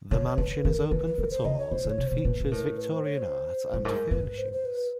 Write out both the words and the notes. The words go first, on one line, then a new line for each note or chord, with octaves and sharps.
The mansion is open for tours and features Victorian art and furnishings.
D3 C#5
D3 B4
D#3 A#4
D#3 B4
B4
D3 A#4
C5
C#3 D#5
C#5
C#3 C5
D3
C#5
C3
B2 C5
A#2 B4
A#2
A2 A#4
B4
C5
C#5
C5
G2
G#2 A#4
G#2 B4
C5
C5
B4